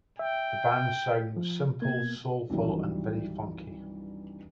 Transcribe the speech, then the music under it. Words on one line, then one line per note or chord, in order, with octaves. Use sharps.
The band's sound was simple, soulful and very funky.
E5 G5
F3
B2 A#3 G#6
C2 G2 D#3 E3 F#3 G3